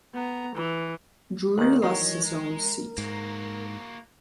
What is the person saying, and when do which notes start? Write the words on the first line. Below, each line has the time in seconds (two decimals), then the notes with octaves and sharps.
Drury lost his own seat.
0.14 B3 A#5
0.55 E3
1.58 D#2 D#3 G#4 D5 F#6
1.83 D#3 E3 F#3 G#3 C#5
2.25 A#4
2.98 G#2 A#3 F#4